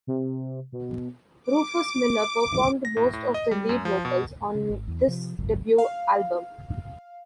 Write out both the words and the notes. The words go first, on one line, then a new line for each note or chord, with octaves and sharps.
Rufus Miller performed most of the lead vocals on this debut album.
C3
B2
D6
A#6
A2
A2
D#5
G3
F#2
F3
B2
C#3
G#1
E2
C3 F3
G#1 C#2 F#2
F5